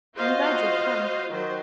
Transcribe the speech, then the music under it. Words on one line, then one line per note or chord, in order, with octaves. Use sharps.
"I am glad you have come."
F4 F#4 C5 D#5 F5
D#3 F#3 C5